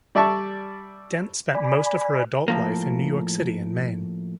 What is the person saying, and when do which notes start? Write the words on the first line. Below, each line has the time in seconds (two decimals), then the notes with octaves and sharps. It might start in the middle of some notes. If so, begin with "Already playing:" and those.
Dent spent most of her adult life in New York City and Maine.
0.15 G3 D5 E5 A5 C#6
1.55 D5 G#5 B5
2.48 A2 F3 A#3